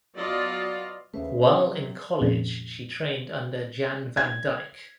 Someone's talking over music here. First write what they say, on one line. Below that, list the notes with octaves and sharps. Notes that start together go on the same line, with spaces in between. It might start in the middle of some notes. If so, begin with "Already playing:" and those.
While in college she trained under Jan Van Dyke.
F#3 B3 F4 D5 D#5 F5
D#2 C#3 A3 B4 C5 E5
B2
C3 F#3
F2 A#2 C#3
G#6